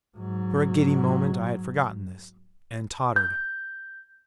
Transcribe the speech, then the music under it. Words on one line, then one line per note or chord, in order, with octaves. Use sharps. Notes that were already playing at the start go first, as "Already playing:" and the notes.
For a giddy moment I had forgotten this, and tottered.
G#2 F#3
G6